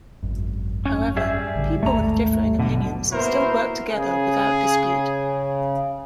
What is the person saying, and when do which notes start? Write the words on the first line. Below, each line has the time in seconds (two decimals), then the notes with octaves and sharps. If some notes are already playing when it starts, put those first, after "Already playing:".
However, people with differing opinions still work together without dispute.
0.23 G#1 F#2
0.86 C#4
1.16 G3 G#4 E5
1.56 A1 D3
1.83 A1 D#2 G#2 A3 A#5
2.59 B1 G2 B2 D3
3.11 A#3 B3 E4 F#4 A#4 C5
3.90 C#3 G#4